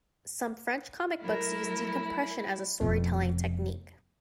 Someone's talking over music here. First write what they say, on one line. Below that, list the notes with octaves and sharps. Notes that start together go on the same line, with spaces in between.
Some French comicbooks use decompression as a storytelling technique.
F#3 A3 E4 A#4
F1 F2 B2